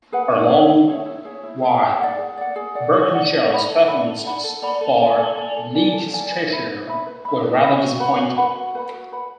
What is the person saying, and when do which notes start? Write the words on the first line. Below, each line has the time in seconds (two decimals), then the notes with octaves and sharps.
For a long while Birkenshaw's performances for Leicestershire were rather disappointing.
0.12 G#4 B4 F#5
0.31 E4
0.50 G#4 C#5 E5
0.69 E4
0.88 G#4 C#5 E5
1.06 E4
1.25 G#4 C#5 E5
1.43 E4
1.62 G#4 C#5 E5
1.81 G#4
2.00 D5 F#5
2.18 G#4
2.37 D5 F#5
2.56 G#4
2.75 D5 F#5
2.94 G#4
3.12 D5 F#5
3.32 A4
3.50 D5 F#5 B5
3.68 A4
3.87 D5 F#5 B5
4.06 A4
4.25 D5 F#5 B5
4.44 A4
4.62 D5 F#5 B5
4.81 A4
5.00 D5 G#5
5.18 A4
5.37 D5 G#5
5.56 A4
5.75 D5 G#5
5.93 A4
6.12 D5 G#5
6.32 B4
6.50 E5 B5
6.69 B4
6.87 E5 B5
7.06 B4
7.25 E5 B5
7.43 B4
7.63 E5 B5
7.81 F#4
8.00 B4 F#5 B5
8.19 F#4
8.37 B4 F#5 B5
8.55 F#4
8.75 B4 F#5 B5
8.94 F#4
9.12 B4 F#5 B5